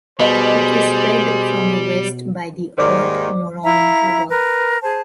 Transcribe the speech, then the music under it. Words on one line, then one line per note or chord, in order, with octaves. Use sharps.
It is fed from the west by the Urt Moron River.
B2 G3 G#4 C5 D#5
D#2 G#2 D#3 C5 D5 D6
E4 E5 F5 A#5
A#4 B4
G#4 C5 A5